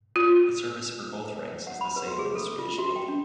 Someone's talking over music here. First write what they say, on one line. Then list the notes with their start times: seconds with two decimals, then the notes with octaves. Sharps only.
The service for both ranks is the same in the Swedish Navy.
0.16 F4
1.67 F#5
1.81 B5
1.96 B4
2.08 F#4
2.19 G#4
2.35 A4
2.59 F4
2.78 F#4
2.96 G5
3.09 D4